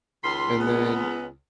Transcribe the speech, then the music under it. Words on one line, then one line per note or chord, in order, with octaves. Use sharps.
and then
C#2 D#3 B5 C6
G#3 B3